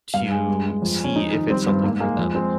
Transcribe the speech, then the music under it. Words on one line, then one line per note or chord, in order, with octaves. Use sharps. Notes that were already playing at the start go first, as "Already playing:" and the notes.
to see if it's something for them.
G2 F5
G#3 G#4
G2
G#3
F2
G#3
C#4
F2 D#4
D#3
G3 C4
G2 C4
G#2 A#3
G#3 A#3
F2
G#3 C4